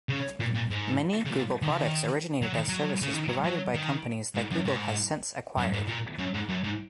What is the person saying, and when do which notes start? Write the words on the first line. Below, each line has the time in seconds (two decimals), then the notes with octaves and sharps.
Many Google products originated as services provided by companies that Google has since acquired.
0.09 C#3
0.40 A#2
0.55 A#2
0.70 G#2
1.26 C#3
1.32 A#2
1.62 D#3
1.70 C#3
1.80 D#3
2.42 F#3
2.54 D#3
2.68 F#3
3.02 C#3
3.14 D#3
3.29 F#3
3.45 F#3
3.74 D#3
4.36 G#2
4.52 F#2
4.66 G#2
5.57 F#2
5.73 G#2
5.88 A#2
6.19 F#2
6.34 G#2
6.49 F#2
6.64 G#2